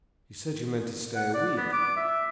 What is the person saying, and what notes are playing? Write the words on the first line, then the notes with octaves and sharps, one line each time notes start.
You said you meant to stay a week.
F#5
D5
B3
D6
E5